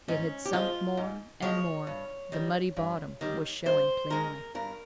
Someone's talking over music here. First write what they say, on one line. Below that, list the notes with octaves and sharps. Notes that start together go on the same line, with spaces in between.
It had sunk more and more--the muddy bottom was showing plainly.
G#2 C#4
G4
F3 G#3 F4
G#2
F3 G#3 C#5
G2
D#3 G3
G2
D#3 G3
G2 C5
D#3 G#3 A#4
G2 A#4